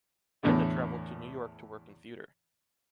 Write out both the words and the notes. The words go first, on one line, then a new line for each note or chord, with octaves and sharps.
Edna traveled to New York to work in theater.
E2 A2 D3